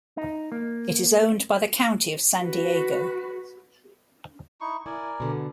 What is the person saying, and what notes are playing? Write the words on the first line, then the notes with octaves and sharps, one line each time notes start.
It is owned by the County of San Diego.
D#4
A#3
F#4 B4
D#4 E4 C#6
E4 A#4 D5 G#5
B2 D3